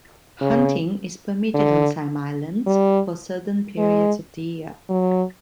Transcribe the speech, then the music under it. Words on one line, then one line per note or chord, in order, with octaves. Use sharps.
Hunting is permitted on some islands for certain periods of the year.
C#3
D3
G3
G#3
F#3